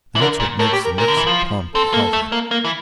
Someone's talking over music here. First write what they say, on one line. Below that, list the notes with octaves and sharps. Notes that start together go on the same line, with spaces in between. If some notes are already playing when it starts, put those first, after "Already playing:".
That's what makes them look so plump and healthy.
E3
D3 A#4
A#2
A2 A#4
G4
A#4
A#2 A#4
D3
E3
F3
C4 A4
A#3
A3
A#3
A#3
E3